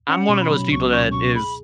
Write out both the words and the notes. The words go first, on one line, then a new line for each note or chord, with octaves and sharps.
I'm one of those people that is,
C#4 F#5
B2 C#6
B5
F#3
C#2 C#6
C#4 C#6
B2 C#6
G#4 B5